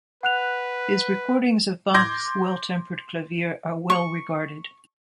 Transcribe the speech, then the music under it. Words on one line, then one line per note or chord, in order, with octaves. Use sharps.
His recordings of Bach's Well Tempered Clavier are well regarded.
B4 F#5 F#6 F7
C6 D6 G6 G#6 A#6
C#6